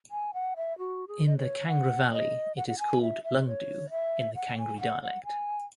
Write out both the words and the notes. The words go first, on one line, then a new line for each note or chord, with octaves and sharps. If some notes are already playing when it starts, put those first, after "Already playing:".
In the Kangra Valley it is called "lungdu" in the Kangri dialect.
G#5
F#5
E5
F#4
G#4
D#5
C#5
F#5
D#5
F#5
F#5
G#5
E5
E5
C#5
E5
F#5
G#5
F#5
F#5
G#5